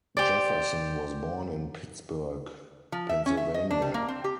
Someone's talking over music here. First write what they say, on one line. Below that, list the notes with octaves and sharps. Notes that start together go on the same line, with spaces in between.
Jefferson was born in Pittsburgh, Pennsylvania.
G4 C5 D5
F3
E5
C#4
E5
D#5
D4
G3
A#3
C4
G4